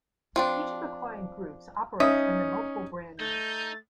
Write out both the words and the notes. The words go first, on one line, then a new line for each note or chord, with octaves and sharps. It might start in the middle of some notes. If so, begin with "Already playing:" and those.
Each of the client groups operates under multiple brand names.
F3 C4 D4
C#4 D#4 E5 D#6
A3 D#4 G6 A6